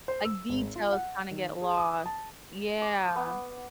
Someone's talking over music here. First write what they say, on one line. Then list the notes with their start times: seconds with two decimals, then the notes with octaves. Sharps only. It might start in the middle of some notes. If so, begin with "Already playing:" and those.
Like, details kinda get lost. Yeah.
0.08 C5
0.25 E6
0.50 G#1
0.76 F4
0.93 F#5
1.31 D#3
1.61 G#4
1.77 D#6
2.06 A5
2.82 D6
3.16 B3